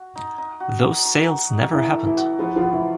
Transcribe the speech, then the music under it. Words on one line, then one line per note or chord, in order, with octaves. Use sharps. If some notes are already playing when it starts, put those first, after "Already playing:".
Those sales never happened.
Already playing: F#4
D#4
D#4
F#4
D#4
D#4
F#4
D#4
E3 D#4 E4
A4
E3 E4
F#4
F3 B3 F4
F3 F4
B3
E3 E4